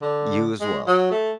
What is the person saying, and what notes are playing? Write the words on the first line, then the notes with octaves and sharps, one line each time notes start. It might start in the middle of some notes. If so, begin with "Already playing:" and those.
You as well.
D3
G#3
F#3
A3